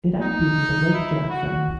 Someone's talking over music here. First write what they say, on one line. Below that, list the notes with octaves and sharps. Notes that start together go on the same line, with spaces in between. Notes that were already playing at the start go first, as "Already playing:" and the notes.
It empties into Lake Jackson.
D#4
E4
F#4